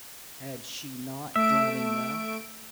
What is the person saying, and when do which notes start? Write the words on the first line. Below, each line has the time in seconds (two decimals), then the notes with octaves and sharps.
Had she not done enough?
1.36 A3 E5 D7